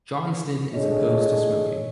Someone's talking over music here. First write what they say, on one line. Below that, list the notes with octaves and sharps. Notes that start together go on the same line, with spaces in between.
Johnston is opposed to smoking.
A3 D4 G#4 C#5 D#5